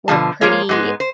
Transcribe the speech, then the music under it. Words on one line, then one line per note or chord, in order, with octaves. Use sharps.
we're pretty
B2 D3 F3 A5
F3 A#3 F4 G#4 C#5
G#2 G#3 B3
C5